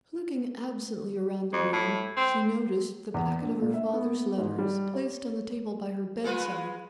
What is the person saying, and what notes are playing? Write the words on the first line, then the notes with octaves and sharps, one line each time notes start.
Looking absently round the room, she noticed the packet of her father's letters placed on the table by her bedside.
F2
A2
C4
E2
A#1
A#2
E5
B3
G#2
G3
C#5
G#3 F4 B4